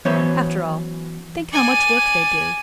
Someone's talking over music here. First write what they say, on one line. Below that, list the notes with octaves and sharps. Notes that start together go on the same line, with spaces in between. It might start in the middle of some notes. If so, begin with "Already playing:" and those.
After all, think how much work they do.
E3 F#3 B3 C#4 C5 C#5
D5 G#5